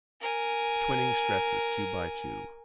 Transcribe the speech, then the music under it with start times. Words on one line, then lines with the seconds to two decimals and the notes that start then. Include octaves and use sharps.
The twining stresses, two by two.
0.21 A#4 G#5